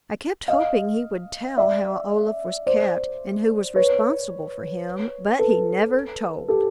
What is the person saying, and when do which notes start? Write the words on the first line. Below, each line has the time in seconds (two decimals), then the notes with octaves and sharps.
I kept hoping he would tell how Olaf was kept and who was responsible for him, but he never told.
0.48 D#5 F5
1.57 D5 E5
2.67 C5 D5
3.76 B4 C#5
5.39 A4 B4
6.48 G4 A4